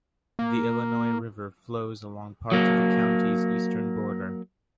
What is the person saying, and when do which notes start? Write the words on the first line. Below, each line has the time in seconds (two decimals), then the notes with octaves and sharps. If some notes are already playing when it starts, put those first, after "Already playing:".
The Illinois River flows along part of the county's eastern border.
0.39 A#3
2.52 F#3 A#3